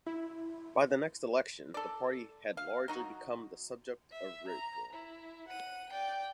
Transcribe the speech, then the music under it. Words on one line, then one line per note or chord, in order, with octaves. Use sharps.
By the next election, the party had largely become the subject of ridicule.
E4
A4 D5
F5
F#3 D#4 F#4
E5
A#5
E4
F#5 D#7
D5 G5